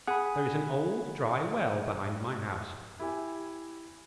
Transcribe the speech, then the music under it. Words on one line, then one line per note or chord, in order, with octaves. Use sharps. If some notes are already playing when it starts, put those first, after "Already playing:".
'There is an old, dry well behind my house.
G#4 F#5 B5
E4 G4 G#5